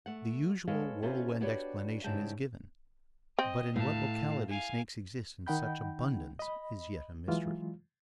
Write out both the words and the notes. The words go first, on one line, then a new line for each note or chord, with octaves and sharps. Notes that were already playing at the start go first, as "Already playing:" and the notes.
The usual whirlwind-explanation is given--"but in what locality snakes exist in such abundance is yet a mystery."
A3 F#5
G#3 A4 B4 C#5 D#5 F5
C#4 E4 F4 G4 A4 C5
D4 F#4 G4 B4 C#5 D5
G#2 C#3 G3 E4 G5 A5
C4 D#5
A2 F5 A5
F5 G#5
D#3 D#4 F#5 G5 B5 G6
D#5 B5
E3 F#3 G#3 F4